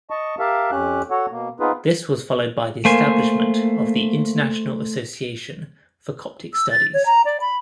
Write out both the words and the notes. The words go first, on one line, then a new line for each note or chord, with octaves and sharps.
This was followed by the establishment of the "International Association for Coptic Studies".
D#5 A5 C#6
G4 A#4 E5 F5 A5
F2 C#4 G4 F#6
F#4 A4 C#5 F#5
B2 A#3
B3 C4 D#4 F4 G#4 B4
A3 A#3 C5 G#5
E6
A6
C#5
A#5
D5
B5